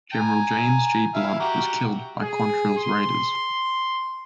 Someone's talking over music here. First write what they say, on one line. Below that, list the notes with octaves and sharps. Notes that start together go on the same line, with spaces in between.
General James G. Blunt, was killed by Quantrill's Raiders.
G#5 A#5
E4 E5 F5
F#4 G4 A#5
G#4
C6